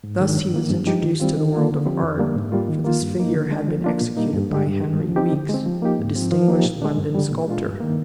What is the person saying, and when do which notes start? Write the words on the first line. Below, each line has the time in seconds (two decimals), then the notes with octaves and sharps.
Thus he was introduced to the world of art, for this figure had been executed by Henry Weekes, a distinguished London sculptor.
0.04 G#2
0.21 D#3 G#3 D4
0.36 G2
0.54 D#3 A#3
0.70 G2
0.86 F3 G#3 D#4 G4
1.03 D#3
1.20 G3 C4 F4
1.36 D#3
1.53 A#3 F4
1.69 D3
1.86 F3 C4 G4
2.02 F2
2.18 D3 G3 A#3 D4
2.35 G#2
2.52 G3 A#3 F4
2.68 D#3
2.85 A#3 F4
3.01 G2
3.18 F3 A#3 D#4
3.34 D3
3.51 G#3 D4
3.68 F3
3.84 A#3 D4 F4
4.01 A#2
4.17 G3 A#3 D#4
4.33 G2
4.50 D3 G#3 D4 G4
4.67 G2
4.83 D#3 G#3
5.00 F3
5.16 C4 D#4 G4
5.33 D3
5.49 G#3 C4
5.66 F3
5.82 A#3 D#4 G4
5.99 G#2
6.15 F3 C4
6.32 F3
6.48 A#3 D#4 G4
6.65 A#2
6.82 G#3 D4
6.98 G2
7.15 D3 G3
7.31 A#2
7.48 G#3 D4 F4
7.64 G2
7.81 D#3 A#3